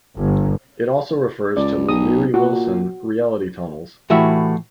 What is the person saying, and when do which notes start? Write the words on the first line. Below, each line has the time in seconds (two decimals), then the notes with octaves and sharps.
It also refers to the Leary-Wilson reality-tunnels.
0.17 G1
1.57 C#2 D5
1.89 B1 D#6
2.34 A#2 F#4
4.10 A2 E3 F#4 G4 E5